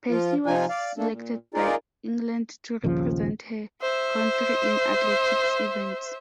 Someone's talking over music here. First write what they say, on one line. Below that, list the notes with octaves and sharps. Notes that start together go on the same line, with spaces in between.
Piercy was selected by England to represent her country in athletics events.
F3 F4
C3 F3 D#4 F4 G#5
D5 F5
A3 A#3 D4 A4
A#2
D#4 F4 G#4 A#4 D5
A#1 D#2 C#3 F3
C5 E5